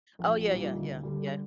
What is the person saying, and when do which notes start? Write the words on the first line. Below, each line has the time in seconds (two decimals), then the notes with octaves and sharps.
Oh, yeah, yeah, yeah, yeah.
0.19 A#1
0.47 A#2 G3 A#3 D#4
0.74 D2
1.03 D3 G3